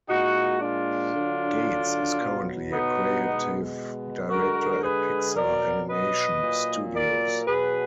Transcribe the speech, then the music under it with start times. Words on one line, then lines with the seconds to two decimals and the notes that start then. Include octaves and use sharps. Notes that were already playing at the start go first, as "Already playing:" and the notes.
Gates is currently a Creative Director at Pixar Animation Studios.
0.08 A#2 G#3 D#4 F#4
0.61 D4 F4
1.14 D3 F#3
2.20 B2 F#3
2.72 B3 D#4
3.25 B2 G#3
4.30 D3 G#3 F#4 A#4
4.83 G#4 B4
5.35 B2 F#3 A#4 D5
5.88 B4 D#5
6.41 A#2 F#3
6.93 A#4 D5
7.46 B2 F#3 G#4 B4